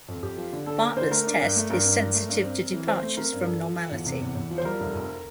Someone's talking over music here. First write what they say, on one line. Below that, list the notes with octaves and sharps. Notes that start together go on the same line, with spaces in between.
Bartlett's test is sensitive to departures from normality.
F2
F2 G4
F3
D3
D3 A4
A#3 A#4
D3 C5
A3 A#4
D4
G2
A3
G2 A#4
G2
G2
A3
G2
C4
C4
E3
C4 C5
A3
C4 A#4
G2
F3 A4
F3
F3
E2
C3
E2
E2
F3
C5
G3 A#4
F1
F2